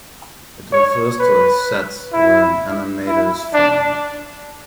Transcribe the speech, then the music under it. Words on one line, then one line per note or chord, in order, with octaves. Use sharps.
It refers to a set where an animator is filming.
C#5
B4
E4
E4
D4